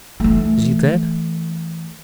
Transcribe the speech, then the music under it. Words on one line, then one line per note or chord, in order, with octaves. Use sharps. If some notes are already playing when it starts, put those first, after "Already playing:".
Is he dead?'
E3 A3